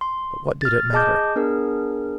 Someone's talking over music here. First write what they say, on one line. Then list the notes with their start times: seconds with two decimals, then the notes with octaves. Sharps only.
But what did it matter?
0.01 C6
0.62 F6 A6
0.93 G#4 D#5 A5 D6 G6
1.36 B3 D4 G#4 A#4